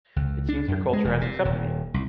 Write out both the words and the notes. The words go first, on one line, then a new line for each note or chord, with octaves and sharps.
It seems your culture has accepted me.
C#2
D4
F#2
G#3
E1
C3
D#1
C2